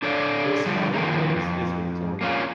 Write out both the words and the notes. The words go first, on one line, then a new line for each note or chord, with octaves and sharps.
This fireplace is Victorian.
D4 A4 C#5 D5 F5
D3 F3 G3
D#3 F3 A#3 D#4
F2
A#3 C#4 F4